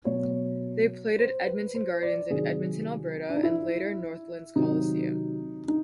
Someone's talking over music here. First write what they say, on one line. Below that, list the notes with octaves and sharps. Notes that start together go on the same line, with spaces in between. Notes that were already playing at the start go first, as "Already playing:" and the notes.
They played at Edmonton Gardens in Edmonton, Alberta, and later Northlands Coliseum.
B2 F#3 C#5
C5
B4
C5
D5
C3 D#3 F#3 G#4
D4
D#4
E4
C3 D#3 F#3 D#4
D#4